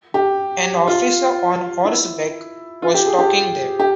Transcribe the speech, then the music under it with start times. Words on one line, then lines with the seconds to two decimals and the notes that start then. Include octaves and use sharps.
An officer on horseback was talking there.
0.14 G4
0.88 F4
1.85 E4
2.82 F4
2.94 G4
3.06 G#4
3.19 G4
3.80 G4